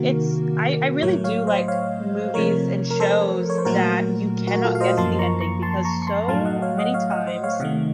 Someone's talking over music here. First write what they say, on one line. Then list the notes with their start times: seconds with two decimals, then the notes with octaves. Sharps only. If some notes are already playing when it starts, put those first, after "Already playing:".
It's I I really do, like, movies and shows that you cannot guess the ending, because so many times
Already playing: C3 D#3 A#3 F#4 A#4
1.03 A2 F#3 A3 A#4 C#5
1.24 C#5 F5
1.47 C5 D#5
1.68 C#5 F5
2.34 C3 F3 A3 A#4 C#5
2.90 A#4
3.00 A4 C5
3.50 C#5
3.58 C5
3.65 A#2 F#3 A3 F#4 A#4
4.47 F#4 A#4
4.64 F4 A4
4.75 F5
4.81 C5 D#5
4.97 F#2 F3 A#3 A5 C6
5.19 A#5 C#6
5.41 A#5 C#6
5.62 A5 C6
5.85 A#5 C#6
6.02 C#6
6.07 A5 C6
6.28 A2 F#3 A3 F5 A5
6.45 D#5 F#5
6.62 C#5 F5
6.77 D#5 F#5
6.94 C#5 F5
7.10 D#5 F#5
7.27 C5 D#5
7.44 C#5 F5
7.60 C3 D#3 A3 D#5 F#5